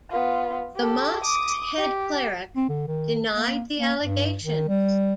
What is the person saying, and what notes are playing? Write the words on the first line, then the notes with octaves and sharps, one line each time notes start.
The mosque's head cleric denied the allegations.
B3 F4
G4 A4
D6 D#6
G4
C4
D3
D#3
A#3
A#3
G2
D#3
G3